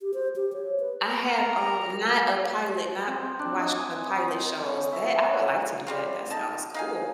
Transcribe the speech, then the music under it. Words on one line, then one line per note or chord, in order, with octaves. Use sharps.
I have, um, not a pilot, not watched the pilot shows that I would like to do that. That sounds cool.
G4
C5
G4
C#5
B4
A#4 A#5
C4
D4
D#5
G#5
C#5
E5
F#5
G3 C4 F4
D#4 A5
D#4 F5 G#5